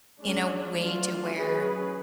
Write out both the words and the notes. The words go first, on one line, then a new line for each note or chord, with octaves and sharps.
in a way to where
G#3 C#4 D4
F#3 A3 D4 F4
F#3 C#4 G#4 B4